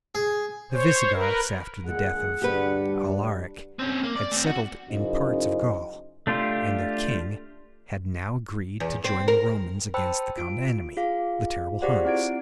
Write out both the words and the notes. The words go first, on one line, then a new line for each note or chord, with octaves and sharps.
The Visigoths after the death of Alaric had settled in parts of Gaul, and their king had now agreed to join the Romans against the common enemy--the terrible Huns.
G#4
C5 C#5
A#4 B4
A#2 D3 G#3 G#4 F#5
D2 G2 G3 D4 G4 B4
C4 C#4
A#3
D5
A3 C4
F#4
F#2 C#3 D#4 E4 C5 D#5
A3 D4 F4 G4
E2
C4
A#4
C5 G5 A5 B5 E6
F4 D7
F4 G#4 F5
F4 G4 G#4 C5 D5 F#5
C4 E4 F#5 G#6 D7